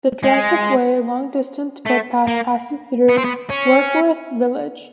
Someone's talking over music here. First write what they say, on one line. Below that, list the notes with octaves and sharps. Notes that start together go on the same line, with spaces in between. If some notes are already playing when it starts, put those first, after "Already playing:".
The Jurassic Way long distance footpath passes through Warkworth village.
G#3
A3
A#3
B3
C4
B3
C#4